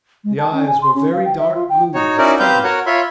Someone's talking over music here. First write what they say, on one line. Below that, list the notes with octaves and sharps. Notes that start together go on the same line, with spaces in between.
The eyes were very dark blue and steady.
G#3
A5
C#4
G#5
C6
C#4
F5
G5
E5
F4
G5
D#4 F#4 C#5
C#4 D#4 E4 F#4 A#4 D5
C4 G4 B4 C5 F5 G6
F#4 A#4 C#5 F#5
F4 C#5 E5 B5 C6